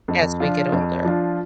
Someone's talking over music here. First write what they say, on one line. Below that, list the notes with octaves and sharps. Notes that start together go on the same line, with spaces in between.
as we get older.
F2
F3 D4 F4
F2
F3 D4 F4